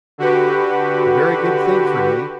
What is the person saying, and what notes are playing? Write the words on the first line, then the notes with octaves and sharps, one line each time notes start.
A very good thing for me.
D3 F#4 G4 B4